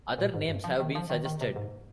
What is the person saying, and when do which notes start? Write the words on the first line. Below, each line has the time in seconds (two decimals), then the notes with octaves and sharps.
Other names have been suggested.
0.18 A#2
0.34 G#2
0.48 G2
0.64 F3
0.80 D#3
0.95 F3
1.10 D#3
1.25 D#3
1.41 C3
1.56 G#2